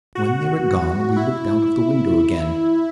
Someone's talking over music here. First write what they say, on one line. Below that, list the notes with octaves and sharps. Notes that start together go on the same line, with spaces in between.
When they were gone we looked out of the window again.
F#4
E4